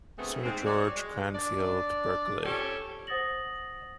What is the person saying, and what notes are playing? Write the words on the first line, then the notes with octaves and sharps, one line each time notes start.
Sir George Cranfield-Berkeley.
D2 A3 B3 C4 G#4
G#2 C4
F#4 C#5 D5
G#3
D4 D5
F2 C#4 G4 A4 C#5
C5 F#5 D#6 A6 A#6 F#7